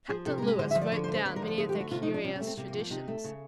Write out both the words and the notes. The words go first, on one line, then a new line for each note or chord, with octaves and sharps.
Captain Lewis wrote down many of their curious traditions.
F3 G#4
C3 A4
A#4
G#3
B4
D3 C5
E5
F3
D5
D3 C#5
C5
A3
C5
D3 B4
A#4
F3
A4
D3 G#4
G4
A3
F#4
C3 F4
D#4
F3
D4
C3 C#4
C#4
A3
C4
C3 A#3
A#3
F3
A#3
C3 D#4
A3
C#3